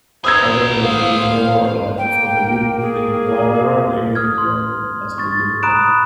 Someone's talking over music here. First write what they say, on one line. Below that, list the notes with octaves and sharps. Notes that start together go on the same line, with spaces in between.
I think it'll do more, like, for the youth in the long run than anything else we could possibly do, you know?
B3 G#4 A#4 C5 D#6 E6 G#6
F5
A#3 G5
G#4
D#6 F6 G#6
C6
C#6 A6
A#5 B5 D#6 F#6 D7 E7